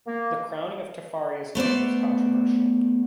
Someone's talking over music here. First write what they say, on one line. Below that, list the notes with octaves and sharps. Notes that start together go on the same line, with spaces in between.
The crowning of Tafari as King was controversial.
A#3
A3 B3 C5 D5